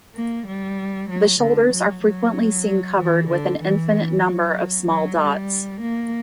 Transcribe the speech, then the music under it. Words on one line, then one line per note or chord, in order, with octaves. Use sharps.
The shoulders are frequently seen covered with an infinite number of small dots.
A#3
G3
F#3
D3
F#3
F#3
E3
D3
E3
F#3
F#3
G3
A#3